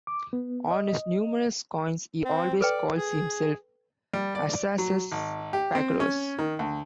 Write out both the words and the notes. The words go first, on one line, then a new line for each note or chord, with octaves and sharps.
On his numerous coins he always calls himself "Arsaces Pacorus".
D6
B3
D#5
C4
A4 B4 D5 G5
G#4
G3
D5
F#3
G#1
G4
C4
C#4
D#3
D2